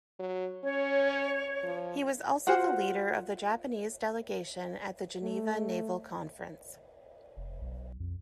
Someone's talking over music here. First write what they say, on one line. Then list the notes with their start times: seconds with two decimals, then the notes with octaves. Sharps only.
He was also the leader of the Japanese delegation at the Geneva Naval Conference.
0.20 F#3
0.64 C#4 C#5
1.64 F3
2.47 F4 F#4 C5 F#5
5.23 A3
7.37 F1
7.62 B1
8.00 F2